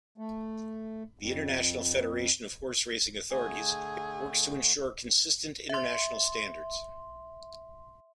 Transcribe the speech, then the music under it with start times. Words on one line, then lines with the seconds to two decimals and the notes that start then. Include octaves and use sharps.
The International Federation of Horseracing Authorities works to ensure consistent international standards.
0.18 A3
1.19 F2
3.31 D3 A3 G#4
5.69 E5 C6